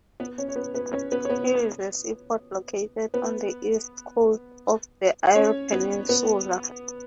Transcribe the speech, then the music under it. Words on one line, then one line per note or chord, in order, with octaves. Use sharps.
It is a seaport located on the east coast of the Eyre Peninsula.
B3 B4
C#4 C#5
C#5
B3 B4
B3 B4
C#4 C#5
B3 B4
C#5
B3 B4
B3 B4
C#4 C#5
B3 B4
B3 B4